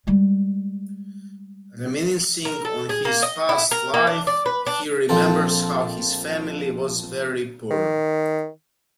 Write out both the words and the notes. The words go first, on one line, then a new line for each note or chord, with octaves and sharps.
Reminiscing on his past life, he remembers how his family was very poor.
G3 G#3
A#4
A4
G#4
A#3
D#5
E4
A#4
A#3
D4
D5
B4
D4
A#1 F3 C4 A4
D#3